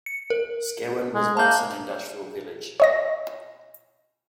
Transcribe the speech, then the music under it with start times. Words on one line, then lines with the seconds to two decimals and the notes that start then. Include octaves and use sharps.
Skewen was once an industrial village.
0.06 C#7
0.30 A#4
1.15 G#3
1.37 A#3 A5 G6
2.80 C#5 D#5 A#6